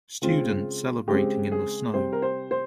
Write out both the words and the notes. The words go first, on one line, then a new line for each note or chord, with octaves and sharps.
Student celebrating in the snow.
C#3 G#3 C4 F4
C#3 G#3 C4 G4
G#4
C3 G3 C4 C5
A#4
C5
C5